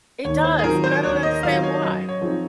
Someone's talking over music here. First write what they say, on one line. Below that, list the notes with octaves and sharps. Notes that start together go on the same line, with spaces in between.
It does, but I don't understand why.
D#2 C#5
C5
G#4
D#3 F#3 C4 F4 A#4
C5
D#2 C#5
D#5
D#3 F#3 C4 F4 F5
C#5
F#2 D#5
C#5
F3 C4 D#4 G#4